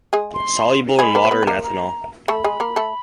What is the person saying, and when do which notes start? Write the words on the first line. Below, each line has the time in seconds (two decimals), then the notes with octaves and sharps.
Soluble in water and ethanol.
0.13 G#3 G#4
0.34 C6
0.99 G#3 G#4 B5
1.15 A#3 A#4
1.25 C5
1.31 B3 B4
1.43 B4
1.47 A#3 A#4
1.64 A#5
2.28 A3 A4 B5
2.44 G#3 G#4
2.60 A#3 A#4
2.76 A3 A4